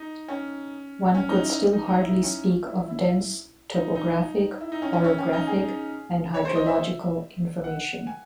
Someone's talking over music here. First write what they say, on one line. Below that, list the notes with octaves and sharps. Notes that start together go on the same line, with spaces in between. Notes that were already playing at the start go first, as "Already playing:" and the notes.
One could still hardly speak of dense topographic, orographic and hydrological information.
Already playing: D#4
C#4
C#4
D#4
E4
D#4
D#4
E4
C#4
E4
E4
D#4
D#4
E4
D#4
C#4
C#4
C#4
C#4
D#4
G#4
C#5
C5
D#5
E5
F#5
G#5